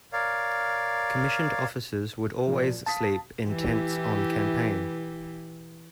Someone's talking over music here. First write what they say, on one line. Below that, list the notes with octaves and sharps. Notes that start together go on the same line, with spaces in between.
Commissioned officers would always sleep in tents on campaign.
A#4 C#5 D5 F5
A#2 F3
F5 A5 D#6 B6
E3 E4 G4